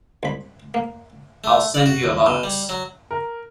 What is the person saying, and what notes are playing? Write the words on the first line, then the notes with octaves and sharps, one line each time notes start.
I'll send you a box.
C2 B5
A#3
A3
D5
F#4
D#2
B2
G3
F#3
A#4